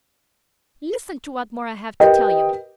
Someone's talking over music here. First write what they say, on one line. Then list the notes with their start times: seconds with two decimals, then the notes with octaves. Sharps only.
Listen to what more I have to tell you.
2.00 G4 A#4 B4 D#5 G5